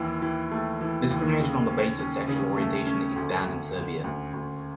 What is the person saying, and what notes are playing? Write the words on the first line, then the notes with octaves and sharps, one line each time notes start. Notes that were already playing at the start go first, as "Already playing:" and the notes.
Discrimination on the basis of sexual orientation is banned in Serbia.
Already playing: D#2 E3
E3
A3
E3
D#2
C#3
C#4
C#4
C#3
A3
C#4
D2
D2
D2
D2
D2